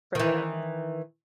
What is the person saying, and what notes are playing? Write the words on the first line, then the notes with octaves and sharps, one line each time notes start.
for them.
D#3 E3